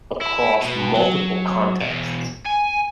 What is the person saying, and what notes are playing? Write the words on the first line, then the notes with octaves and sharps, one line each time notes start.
across multiple contexts.
E4
B2 B3
F#3
E2 B2
G#5